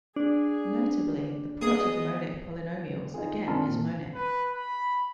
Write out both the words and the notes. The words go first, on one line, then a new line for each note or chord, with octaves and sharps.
Notably, the product of monic polynomials again is monic.
D4 G#4
B3 G#4 D#5
D#4 F4 G#4
D#3 C4 D4 F4 A5 F6
A#2
B4
B5